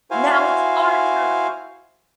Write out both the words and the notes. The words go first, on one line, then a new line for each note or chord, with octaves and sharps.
Now it's our turn!...
E4 F#4 C5 F5 G#5